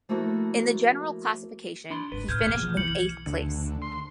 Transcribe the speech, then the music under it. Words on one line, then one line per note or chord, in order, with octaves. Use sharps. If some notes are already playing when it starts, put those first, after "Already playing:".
In the general classification, he finished in eighth place.
F3 A3 A#3 E4 F#4
D4 B5 C6
G1 G#2 B4
A2 C#3 F6 G6 G#6
E1 E3 A#3 B3 G#4
B1 F3
B1 F2 E3 G6 C#7 F#7
D2
C6